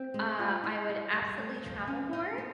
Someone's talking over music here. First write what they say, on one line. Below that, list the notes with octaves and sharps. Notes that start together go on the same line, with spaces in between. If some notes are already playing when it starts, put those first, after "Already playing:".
Uh, I would absolutely travel more,
Already playing: C4
G#3
F4
E4
G3
G3
A3
F3
C#4
D#4
B3